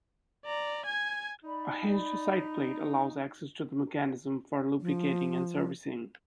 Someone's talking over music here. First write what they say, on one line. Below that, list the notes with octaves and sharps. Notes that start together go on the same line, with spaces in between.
A hinged sideplate allows access to the mechanism for lubricating and servicing.
D5 A#5
G#5 G#6
D#4 D5 B5
F3